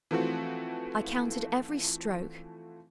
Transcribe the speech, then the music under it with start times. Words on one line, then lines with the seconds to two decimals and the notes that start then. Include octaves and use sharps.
I counted every stroke.
0.11 E3 F3 A3 C4 F#4